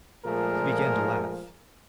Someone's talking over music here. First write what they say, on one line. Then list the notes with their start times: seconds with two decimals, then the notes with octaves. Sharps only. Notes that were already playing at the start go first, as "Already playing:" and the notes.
He began to laugh.
0.25 A#2 F3 G#3 A3 G#4 A#4